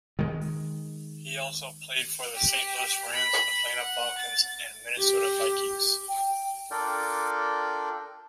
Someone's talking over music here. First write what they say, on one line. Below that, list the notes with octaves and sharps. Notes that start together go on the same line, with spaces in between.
He also played for the Saint Louis Rams, Atlanta Falcons and Minnesota Vikings.
D#3 G#3
G4
B5
F#5
A6
G4
G5
D4 F4 A4 A#4 D5 G5